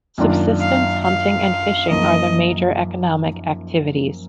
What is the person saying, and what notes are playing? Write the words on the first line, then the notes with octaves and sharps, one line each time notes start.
Subsistence hunting and fishing are the major economic activities.
F#2 D#3 A#3 D4 F4
F5
F5
F#2 F3 A#3 D#4 D#5